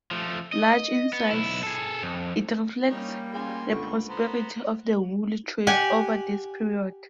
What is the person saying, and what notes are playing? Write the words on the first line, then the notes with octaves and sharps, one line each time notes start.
Large in size, it reflects the prosperity of the wool trade over this period!
F3 A3
D#5
B3
B1 E4
G#4 A4
F2
G3 A#3 C#4 D#4
C#4 F4 G#4 G#5 C6
C#2 D3 A3 C#6
B3 C5 A#5
G4 F#5 G#5